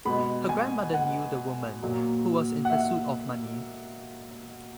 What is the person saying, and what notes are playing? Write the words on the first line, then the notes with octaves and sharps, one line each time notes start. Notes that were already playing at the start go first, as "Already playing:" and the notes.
Her grandmother knew the woman, who was in pursuit of money.
B2 G#3 B5
G#5
F#5
A#2 F#3 A#3
F#5
E5